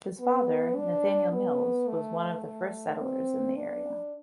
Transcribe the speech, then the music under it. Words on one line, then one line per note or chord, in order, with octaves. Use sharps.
His father, Nathaniel Mills, was one of the first settlers in the area.
B3
D4
B3
A3
A3
C4
D4